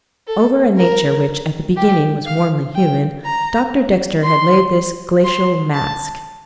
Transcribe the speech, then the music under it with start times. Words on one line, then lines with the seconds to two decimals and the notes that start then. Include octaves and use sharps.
Over a nature which, at the beginning, was warmly human, Doctor Dexter had laid this glacial mask.
0.27 A4
0.77 A#4
1.77 G4
2.26 F5
2.75 G5
3.25 A#5
4.24 C6
5.24 C6
5.73 A5